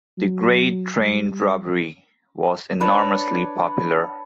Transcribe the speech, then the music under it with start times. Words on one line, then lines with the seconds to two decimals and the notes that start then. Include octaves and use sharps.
"The Great Train Robbery" was enormously popular.
0.18 F#3
1.01 G3
2.80 D4 B4 C#5 D5